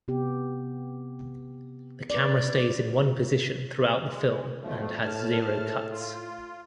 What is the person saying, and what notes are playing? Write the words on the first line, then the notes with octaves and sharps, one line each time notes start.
The camera stays in one position throughout the film and has zero cuts.
C3 B3 G4
B4 D5
G#3
B1 F2 F3 A3
A2 A5 F6
F4